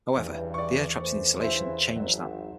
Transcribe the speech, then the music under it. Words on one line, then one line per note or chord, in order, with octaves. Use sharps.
However, the air trapped in the insulation changed that.
E2 G2 C#3 E3
D5 C#6
E3 A3 C5
G2 C#3 E3 C5 E5
G#1 F#3